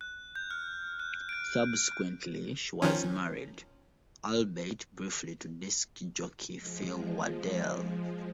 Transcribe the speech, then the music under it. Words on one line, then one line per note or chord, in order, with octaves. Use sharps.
Subsequently, she was married, albeit briefly to disc jockey Phil Wardell.
F#6
G6
F6
F#6
D7
D#3 F3 C#4
F3 G#3